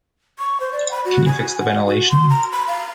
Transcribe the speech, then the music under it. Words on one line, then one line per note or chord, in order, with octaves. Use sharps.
Can you fix the ventilation?
C#6
C5
D5
B5
F#4
G#5
F#5
F#4
C6
A#5
B5
F5